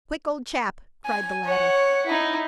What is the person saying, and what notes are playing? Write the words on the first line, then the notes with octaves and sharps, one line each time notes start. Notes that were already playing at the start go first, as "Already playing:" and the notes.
"Quick, old chap!" cried the latter.
G#5
C#5 F#5
D#4 E4